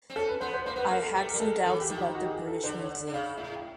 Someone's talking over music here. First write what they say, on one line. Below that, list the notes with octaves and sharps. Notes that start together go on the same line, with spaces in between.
I had some doubts about the British Museum.
C4
C#4 A4
B4
B3 C5
C5
A#3 C5
B3 B4
A#3 A#4
A4
A3 G4
G3 A#4
G#3 A4
E3 A4
G4
D#3
G4
F#4
G4
G#4
A4
D3 C5
C#5
D5
D3
C#3 F5
A2 E5
G5